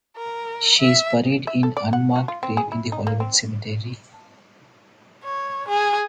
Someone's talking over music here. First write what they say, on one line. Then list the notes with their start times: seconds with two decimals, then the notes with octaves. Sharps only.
She is buried in unmarked grave in the Hollywood Cemetery.
0.16 A#4
0.79 E5
1.47 E5
1.63 A4
1.77 D5
1.93 F#5
2.16 F#4
2.28 F4
2.43 C4
2.57 G#4
2.72 E4
2.92 D#4
3.07 A#3
3.20 C4
5.24 C#5
5.68 G#4